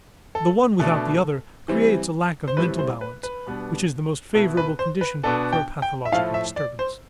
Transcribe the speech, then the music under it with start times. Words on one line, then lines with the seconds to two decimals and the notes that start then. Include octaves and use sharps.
The one without the other creates a lack of mental balance which is the most favorable condition for a pathological disturbance.
0.35 A4
0.80 B2 A3 D4 A4
1.68 E3 G3 C4
2.48 C5
2.57 A2 G3 C4 E4 B4
2.79 C5
3.01 B4
3.23 B4
3.46 B2 G3 B3 D4
4.34 B2 B3 E4 A4
4.57 B4
4.79 C5
5.01 B4
5.23 B2 B3 D4 A4
5.53 G5
5.82 G5
6.05 E5
6.12 A2 F3 A3 E4 F5
6.34 E5
6.56 D5
6.79 C5